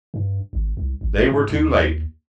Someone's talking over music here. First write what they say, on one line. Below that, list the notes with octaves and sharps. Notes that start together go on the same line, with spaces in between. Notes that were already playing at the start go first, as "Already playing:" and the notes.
They were too late.
G2
G#1
C2
G#1
G#2
D#2